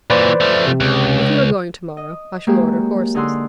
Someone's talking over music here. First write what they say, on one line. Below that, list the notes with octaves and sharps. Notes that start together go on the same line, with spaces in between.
'If you are going to-morrow, I shall order horses.'
A#2 E3 B4 C5 D5
F3 A3
C3
C#2
D#5
F#3 G#3 A#3 G4
D3 D#4 G#4 F#5 C6 E6